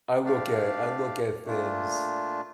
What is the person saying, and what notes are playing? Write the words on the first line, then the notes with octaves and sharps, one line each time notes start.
I look at I look at things
A3 D4 G4 D5 F5
A#2 A3 D4 F4